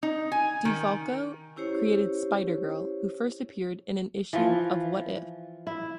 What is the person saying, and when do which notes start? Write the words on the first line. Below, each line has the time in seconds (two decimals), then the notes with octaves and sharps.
DeFalco created Spider-Girl, who first appeared in an issue of What If?
0.03 D#4
0.32 G#5
0.65 D#3
1.56 C#4 E4 G4 C5 C#5
4.33 E3 F3
5.67 E4